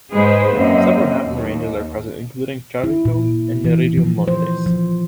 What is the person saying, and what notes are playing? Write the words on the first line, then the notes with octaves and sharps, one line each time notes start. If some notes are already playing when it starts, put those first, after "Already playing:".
Several mountain ranges are present, including Charitum and Nereidum Montes.
G#2 G#3 G#4 B4 C5
F#2 A#3 C4 D#5
D#2
E4
A#2
E3
F3
C5
F3